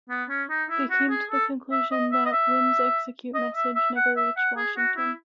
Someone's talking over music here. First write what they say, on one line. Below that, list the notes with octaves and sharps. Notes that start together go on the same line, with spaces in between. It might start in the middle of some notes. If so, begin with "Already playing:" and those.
They came to the conclusion that "winds execute" message never reached Washington.
B3
C#4
D#4
E4
F#4
G#4
A4
E5
D#5
E5
D#5
E5
D#5
E5
E5
F#5
E5
F#5
G#4
F#4
E4